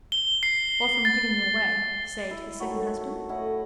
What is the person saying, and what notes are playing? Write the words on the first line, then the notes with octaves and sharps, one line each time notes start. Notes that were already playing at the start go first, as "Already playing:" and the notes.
"Or from giving them away,--say to a second husband."
G7
C7
A6
E4
D#3 A3 F#4 C#5
A2 E4 D#5 F#5